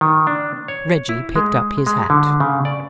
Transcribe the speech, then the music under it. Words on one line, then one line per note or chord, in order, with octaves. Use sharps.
Reggie picked up his hat.
D#3
D4
C#5
E4
G#3
G#3
D3
C#3
D5